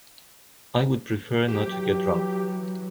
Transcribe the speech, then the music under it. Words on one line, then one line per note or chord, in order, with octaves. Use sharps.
I would prefer not to get drunk.
E3 F#3 G4